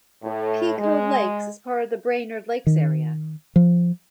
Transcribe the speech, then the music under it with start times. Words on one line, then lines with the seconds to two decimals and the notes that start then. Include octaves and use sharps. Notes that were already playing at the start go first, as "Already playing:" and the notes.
Pequot Lakes is part of the Brainerd Lakes Area.
0.23 A2
0.78 G#3
2.67 D#3
3.56 F3